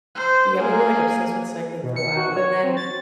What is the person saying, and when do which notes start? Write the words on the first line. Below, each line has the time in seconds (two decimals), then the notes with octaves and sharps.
Yeah, we were, like, obsessed with cycling for a while, and then
0.16 C5
0.59 A#3 G#4
1.83 B2
1.96 C#7
2.17 F#4
2.36 C#5
2.63 C4
2.77 A6